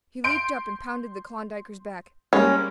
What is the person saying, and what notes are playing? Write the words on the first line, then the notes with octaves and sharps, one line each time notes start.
He leaped up and pounded the Klondiker's back.
C6 G6 D7
G3 G#3 A#3 C#4